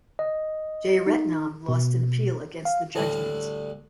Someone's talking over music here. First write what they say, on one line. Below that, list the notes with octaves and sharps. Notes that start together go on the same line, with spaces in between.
Jeyaretnam lost an appeal against the judgment.
D#5
D#4
B2
F5
D2 A2 D3 G3